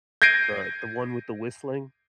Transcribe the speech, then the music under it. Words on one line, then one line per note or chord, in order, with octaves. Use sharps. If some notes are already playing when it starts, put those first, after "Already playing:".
The the one with the whistling?
G6 G#6 A#6 C7 D7 D#7